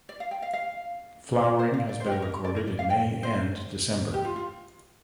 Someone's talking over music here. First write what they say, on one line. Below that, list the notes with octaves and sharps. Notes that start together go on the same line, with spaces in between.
Flowering has been recorded in May and December.
D5
F5
G5
F5
F5
D5
C5
F5
D5
C5
G4
A#4
A#4
D5
A#4
D5
F5
G5
C5
G4
F4
F4